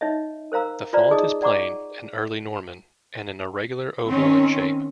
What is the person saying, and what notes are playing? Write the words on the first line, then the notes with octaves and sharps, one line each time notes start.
The font is plain and early Norman and an irregular oval in shape.
D#4 C#5 D#5 E5
A#4 C5 F5 A#5 E6
F4 B4 C5 D5 A#5
D#4 G#4 D#5 D6 D#6
D5 F#5 A#5 C#6 D6
D#3 C4 C#4